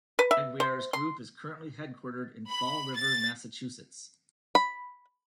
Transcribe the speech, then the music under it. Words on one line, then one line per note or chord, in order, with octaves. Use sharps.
Aguiar's group is currently headquartered in Fall River, Massachusetts.
B4
E5
C5
C6
B5
A6
B5